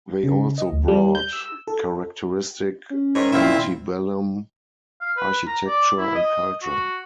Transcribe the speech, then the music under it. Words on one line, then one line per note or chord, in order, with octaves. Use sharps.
They also brought characteristic antebellum architecture and culture.
C#3
D#5
D2
G3
G6
E6
A4
C#4
G#2 D#3 C#5
A#2 D#3 C4 E4 F4
F5
B4
A#5
D5
E4
D#5
F#4